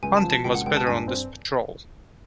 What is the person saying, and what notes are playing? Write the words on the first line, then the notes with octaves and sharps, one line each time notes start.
Hunting was better on this patrol.
C#2 G#5
A5
F3
A5
C#2 G5
F#5
C#2 G5
A5
G2 G#5
C4